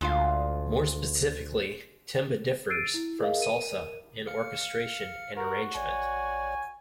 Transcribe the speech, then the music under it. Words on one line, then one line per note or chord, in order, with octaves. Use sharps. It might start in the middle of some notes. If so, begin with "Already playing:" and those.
More specifically, timba differs from salsa in orchestration and arrangement.
D2 G#3 F4 F5
E6 A6 C7 D7 D#7
E4
G#4 A#4 D#5 F5
A#4 D#7
F5 F6 C#7
F#4 A#4
A1 C#5 D5 G#5